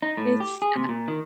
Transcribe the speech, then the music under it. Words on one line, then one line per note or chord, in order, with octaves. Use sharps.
it's I
D#4
A2
G4
G#4
C3
A#2
D#3